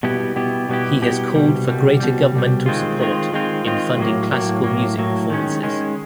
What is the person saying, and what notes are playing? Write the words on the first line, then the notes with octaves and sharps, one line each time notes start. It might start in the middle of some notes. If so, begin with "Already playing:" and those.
He has called for greater governmental support in funding classical music performances.
B2 G3 B3 E4 G4
B2 G3 B3 E4 G4
B2 G3 B3 E4 G4
B2 G3 B3 E4 G4
C2 B2 G3
C2 B2 G3
C2 B2 G3
C2 B2 G3
D#3 G#3 C4 F4
D#3 G#3 C4 F4
D#3 G#3 C4 F4
D#3 G#3 C4 F4
A2 F#3 A#3
A2 F#3 A#3
A2 F#3 A#3
A2 F#3 A#3
D#3 G#3 C#4
D#3 G#3 C#4